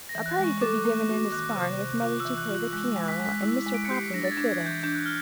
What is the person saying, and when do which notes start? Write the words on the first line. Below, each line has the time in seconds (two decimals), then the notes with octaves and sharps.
A party could be given in this barn with mother to play the piano and Mr. Popham the fiddle.
0.09 A#6
0.15 E3
0.26 F#6
0.38 G#3
0.44 C#6
0.61 A4 D6
0.85 A#3
1.09 F#4
1.32 D#3 F#6
1.55 C3
1.79 C3
2.02 F4 F#6
2.20 E6
2.25 E3
2.38 F#6
2.49 F4
2.55 F#6
2.73 G#3 F#6
2.96 G#3
3.08 B6
3.20 G#3
3.25 B6
3.43 E4
3.66 G#3
3.74 D7
3.85 C#7
3.90 G4 C7
4.04 B6
4.13 D4 A#6
4.25 A6
4.31 G#6
4.37 D4
4.49 G#6
4.61 E3
4.66 G6
4.83 D4 G6
4.95 F#6
5.06 F6